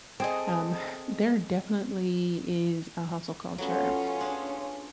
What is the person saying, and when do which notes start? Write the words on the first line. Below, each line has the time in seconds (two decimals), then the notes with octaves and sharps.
um, there definitely is a hustle culture,
0.20 C4 G#4 A4 D#5
3.58 F#3 A3 B3 C#4 F4
4.20 D4 G#4